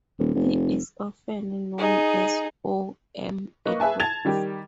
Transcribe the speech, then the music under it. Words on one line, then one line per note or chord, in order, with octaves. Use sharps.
He is often known as O. M. Edwards.
D#1
F1
D#4 G#4
A#3 B4 D#5 C#6
G#4 B4 E5 G#5 A5
A5 G#6 A6 F7
D#3 G3 G4